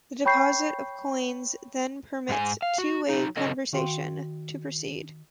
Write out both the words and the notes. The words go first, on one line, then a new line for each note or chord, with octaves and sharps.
The deposit of coins then permits two-way conversation to proceed.
C#5 G5 B5 C#6 G6 C7
G#2 G#3 G#5
F5
F#4
F#3 D#4
C#3 F#3 C#4 A4 D#5
D#3 F#4 F5 G5 C6